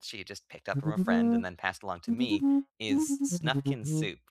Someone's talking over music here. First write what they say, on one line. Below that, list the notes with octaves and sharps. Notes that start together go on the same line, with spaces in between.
she had just picked up from a friend and then passed along to me is Snufkin soup,
C#3
D#3
F#3
A#3
A#3
B3
D#4
C#4
C#4
D#4
C#4
C#4
F3
D#3
C#3
C#3
C#3
D#3